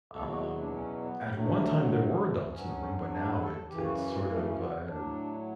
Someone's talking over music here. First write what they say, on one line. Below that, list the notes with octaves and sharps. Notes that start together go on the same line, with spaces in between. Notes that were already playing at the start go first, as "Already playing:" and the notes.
Um, at one time there were adults in the room, but now it it's sort of, uh
E2 B2 F#3 A4
F#4
A3
B3
D4
C#4
B3
G3
D2 D3 F#3 A3
G3
A3
G2 F#3 C#4
D4
B4
A4
F#2 C#3 E3 G4
F#4
C#4
G3
A3
C#4
B3
A2 F#3 D4